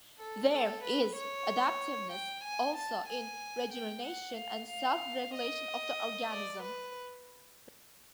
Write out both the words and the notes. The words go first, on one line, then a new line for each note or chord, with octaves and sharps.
There is adaptiveness also in regeneration and self-regulation of the organism.
A4
A4
B4
C#5
G5
G#5
A5
G#5
G5
F#5
F5
F5
D#5
D5
B4